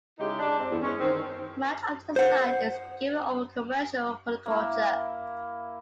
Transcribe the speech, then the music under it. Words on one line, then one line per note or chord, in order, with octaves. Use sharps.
Much of the site is given over to commercial horticulture.
C#3 G#3 D#4 E4 G4
D4
C4
E2
G#3 C#4
D#3 C4
C5 F#5
A#3 E4